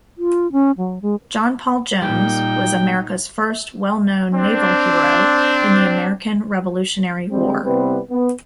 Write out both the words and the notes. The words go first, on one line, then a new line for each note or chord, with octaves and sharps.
John Paul Jones was America's first well-known naval hero in the American Revolutionary War.
F4
C#4
F#3
G#3
A#2 G3 A#3 D#4 G5
C4 D4
D3 G3 G#3 C4
C3 G3 B3 C4 E4 B4
B3